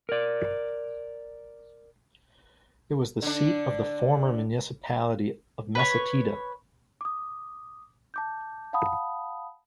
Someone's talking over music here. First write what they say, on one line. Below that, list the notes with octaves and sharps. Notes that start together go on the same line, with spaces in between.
It was the seat of the former municipality of Messatida.
A#4 D5
D3 D4
B4 C#5
D6 D#6
A5 D6 G6
F5 F#5 A5 B5 D#6